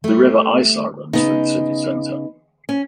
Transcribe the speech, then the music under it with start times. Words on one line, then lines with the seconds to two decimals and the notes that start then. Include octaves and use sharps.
The River Isar runs through the city centre.
0.04 G3 A3
1.13 C#3 B3 D#4
2.69 C#4